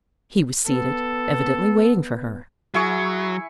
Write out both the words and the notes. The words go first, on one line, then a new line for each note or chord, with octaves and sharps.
He was seated, evidently waiting for her.
B3 A4
F#3 E4 G#4 C#6